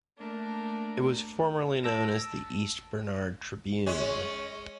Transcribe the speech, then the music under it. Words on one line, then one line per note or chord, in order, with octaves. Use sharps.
It was formerly known as the East Bernard Tribune.
A3 A#3 D4 A#4
A5 E6 A#6 D7 E7
G#3 C#4